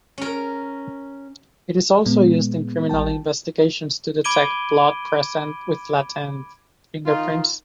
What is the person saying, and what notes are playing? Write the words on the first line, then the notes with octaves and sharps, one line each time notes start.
It is also used in criminal investigations to detect blood present with latent fingerprints.
C#4 A#4
A#2 G#3 B3
A1 G3 G5 A5
B5 D6 G#6 D7 D#7 G7
D#3 D#4 F4